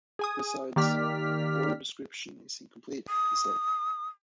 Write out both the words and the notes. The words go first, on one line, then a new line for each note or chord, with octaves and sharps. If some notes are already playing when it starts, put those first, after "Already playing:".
"Besides, your description is incomplete," he said.
G#4 G#5 D#6
D#3 A#3 G4 D5 F6 B6
D#6